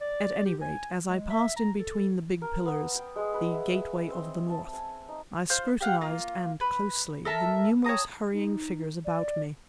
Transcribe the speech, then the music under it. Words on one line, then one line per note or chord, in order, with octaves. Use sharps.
At any rate, as I passed in between the big pillars, "The gateway of the North," I scrutinized, and closely, the numerous hurrying figures about me.
D5
G4
G#5
G#3
E5
A#5
A4
A#4
B3
G5
G#3
B4
E5
E5
C4
A5
G#5
D#4
F4 C5 G6
G4 F5 F#5
A#3 F4
B4
A4 A#4 E5 A5
C#5 A5 A#5 D#6
D#4
D5